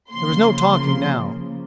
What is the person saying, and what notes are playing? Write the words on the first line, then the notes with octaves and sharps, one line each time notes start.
There was no talking now.
C#3 F3 A#3 C6
C6